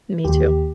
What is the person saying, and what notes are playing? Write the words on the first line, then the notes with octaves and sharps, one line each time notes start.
Me too.
D#2 G4